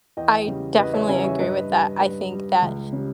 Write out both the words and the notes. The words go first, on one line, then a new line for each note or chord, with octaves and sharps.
I definitely agree with that, I think that,
E2 D#5 G5
C#3 G3
E2 B4 D#5
C#5 E5
C#3 G3 E5 G#5
C#5 E5
G2 B4 D#5
G3
G2 B4
G3
C#2
C#3 G3